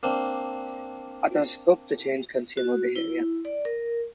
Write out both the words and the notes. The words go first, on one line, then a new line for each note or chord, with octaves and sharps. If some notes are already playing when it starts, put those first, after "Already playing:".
Others hope to change consumer behavior.
A#3 C4 D4
F#4
E4
D5
A#4